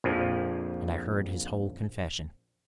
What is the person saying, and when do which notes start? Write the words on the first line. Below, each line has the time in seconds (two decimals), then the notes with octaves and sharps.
And I heard his whole confession.
0.04 A#1 F2 F3